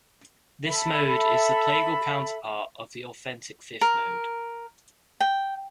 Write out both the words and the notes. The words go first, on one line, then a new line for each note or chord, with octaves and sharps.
This mode is the plagal counterpart of the authentic fifth mode.
A4 E5 B5
A#4
G5